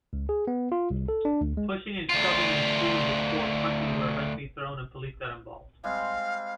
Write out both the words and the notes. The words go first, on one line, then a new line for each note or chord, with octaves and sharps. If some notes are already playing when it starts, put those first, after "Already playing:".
Pushing and shoving ensued, before punches were eventually thrown and police got involved.
C#2
G#4
B3
F4
C2
A4
D4
D2
G#3
D2 F4
G3 G#3 C4 F5